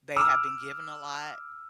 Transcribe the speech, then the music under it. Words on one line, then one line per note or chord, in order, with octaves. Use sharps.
they have been given a lot
D6 E6 F6